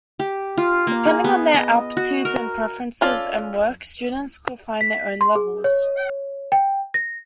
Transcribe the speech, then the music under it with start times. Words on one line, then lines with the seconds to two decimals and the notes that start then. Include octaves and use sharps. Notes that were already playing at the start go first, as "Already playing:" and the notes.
Depending on their aptitudes and preferences and work, students could find their own levels.
0.20 G4
0.58 F4
0.87 A#3
1.06 G#4
1.24 B3
1.54 D#5
1.97 F#4
2.25 A#4
3.01 C#4 F4 A4 D5
4.81 B6
5.21 C6
5.35 G#4
5.64 C#5
6.52 G5
6.94 A#6